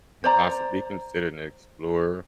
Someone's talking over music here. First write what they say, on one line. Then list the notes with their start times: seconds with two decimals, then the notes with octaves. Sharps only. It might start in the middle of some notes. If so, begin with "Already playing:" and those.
can possibly considered an explorer,
0.24 C5 D5 A#5